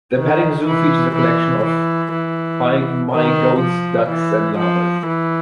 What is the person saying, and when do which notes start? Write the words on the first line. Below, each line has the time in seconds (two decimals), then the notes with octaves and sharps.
The petting zoo features a collection of pygmy goats, ducks, and llamas.
0.18 D#3
0.66 E3
1.16 E3
1.64 E3
2.13 E3
3.12 D#3
3.60 F3
4.09 E3
4.58 F3
5.07 E3